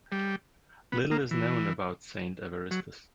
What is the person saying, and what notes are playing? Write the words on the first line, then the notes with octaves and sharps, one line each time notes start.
Little is known about Saint Evaristus.
G3
B3
A#3
E3
F#3